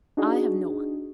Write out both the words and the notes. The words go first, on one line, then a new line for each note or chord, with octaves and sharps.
"I have no one."
D4 D#4 F#4 G#4